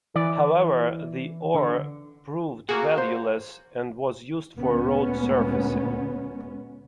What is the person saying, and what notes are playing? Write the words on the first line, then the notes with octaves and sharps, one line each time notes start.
However, the ore proved valueless and was used for road surfacing.
E3 D5
D3
A#3 F#4 G#4
C5
D2 A#2 G#3 B3 C#4